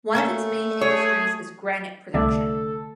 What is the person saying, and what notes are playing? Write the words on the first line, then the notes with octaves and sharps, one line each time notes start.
One of its main industries is granite production.
A3 A#3 C#4 A4
G#4 C#5
C2 D3 A3 A4 D5 E5